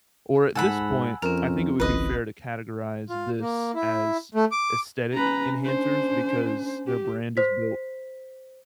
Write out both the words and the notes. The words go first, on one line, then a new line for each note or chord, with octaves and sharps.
or, at this point, I think it would be fair to categorize this as aesthetic enhancers because their brand is built
G#2 A4 F#5 G#5 B5 E6
F2 C4 C#4 A#4
G1 C2 E3 B4 D#5
F4
A#3
E4
A3
D6
C#4 B4 A#5
D4 C5
G4
C5 B6